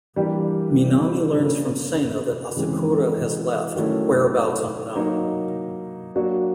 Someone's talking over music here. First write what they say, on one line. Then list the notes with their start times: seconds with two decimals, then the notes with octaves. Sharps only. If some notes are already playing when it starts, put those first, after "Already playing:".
Minami learns from Sena that Asakura has left, whereabouts unknown.
0.16 E3 G3 A#3 D4 G4
1.36 C#3 F3 A#3
2.56 C#3 E3 G#3 C4
3.75 D#3 F#3 A3 C#4 E4
4.96 F#3 A#3 D#4 F#4
6.15 F#3 A#3 D4 F#4